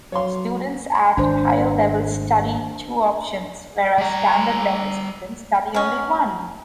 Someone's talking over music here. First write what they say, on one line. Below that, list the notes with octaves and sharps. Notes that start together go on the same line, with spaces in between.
Students at higher level study two options whereas standard level students study only one.
F#3 C#5 F5 C6
G#1 D4 C5
G3 A#5
F#3 C#4